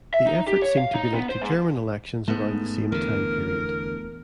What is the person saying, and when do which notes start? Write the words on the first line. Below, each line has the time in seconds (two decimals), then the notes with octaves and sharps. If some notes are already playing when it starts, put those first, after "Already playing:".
The effort seemed to be linked to German elections around the same time period.
0.14 E5
0.27 D#4
0.47 G4
0.62 C#5
0.77 F5
0.94 D#4
1.14 B3
1.29 C5
1.42 G#2
2.28 G#2 A3 B3
2.92 E2 D3 A#4